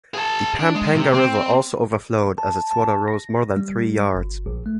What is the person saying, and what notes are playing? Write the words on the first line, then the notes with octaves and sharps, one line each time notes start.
The Pampanga River also overflowed as its water rose more than three yards.
G#4 A5
D4
G#3
C3
C4
A5
A5
A#6
G3
G1
A#1
A3